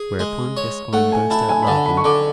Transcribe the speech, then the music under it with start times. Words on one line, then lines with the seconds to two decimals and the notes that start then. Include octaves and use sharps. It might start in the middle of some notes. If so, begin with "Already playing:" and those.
Whereupon Gascoyne burst out laughing.
Already playing: G#4
0.19 G#3
0.57 C#5
0.93 A3 F#5
1.12 G#5
1.30 E4 A5
1.49 G#5
1.63 B5
1.67 D3 A5
1.86 B5
1.97 C#6
2.04 D3 D6